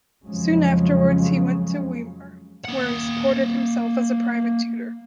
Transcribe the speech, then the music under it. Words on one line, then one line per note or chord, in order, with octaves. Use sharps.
Soon afterwards he went to Weimar, where he supported himself as a private tutor.
F2 C#3 F3 F#3 G#3 C#4
A#3 F#5